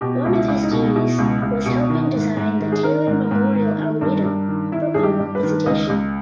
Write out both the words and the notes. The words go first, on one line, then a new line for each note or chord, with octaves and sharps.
One of his duties was helping design the Taylor Memorial Arboretum for public visitation.
B2 G4
C#2
E4
C#2
D#4
B2
B2 E4
C#2
C#2
B2
D#3
G#2
G#2
D#3
G#4
D#3 A#4
G#2
G#2
D#3
D#3
G2
G2
D#3
D#3 E4
G2 G#4
G4
G2
B4
D#3
C#2 D#5
C#2